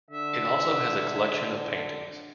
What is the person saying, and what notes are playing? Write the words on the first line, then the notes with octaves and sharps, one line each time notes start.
It also has a collection of paintings.
D3 E5